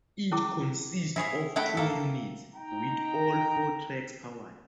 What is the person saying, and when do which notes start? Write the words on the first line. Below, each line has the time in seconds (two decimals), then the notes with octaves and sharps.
It consists of two units, with all four tracks powered.
0.32 C#4 E4 G#4 A#5 D6
1.16 E4 G#4 C#5
1.56 A3 E4 F#5 G5
1.77 A#3 A4
2.54 D#4 G5 A#5